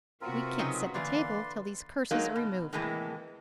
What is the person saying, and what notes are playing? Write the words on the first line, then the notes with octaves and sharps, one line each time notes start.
We can't set the table till these curses are removed.
C3 C4 F4 F#4 A#4 B4
C#3 F#3 D#4
D3 E3 A#3 B4 D5 C6
F#3 G#3 A#3 D#4
B2
A2 C3 E3 G#3 A#3